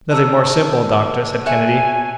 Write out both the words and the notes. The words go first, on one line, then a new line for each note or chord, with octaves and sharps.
"Nothing more simple, doctor," said Kennedy.
C#3 D4 D#4 A5 E6
G#4 C#5 E5 G#5 F#6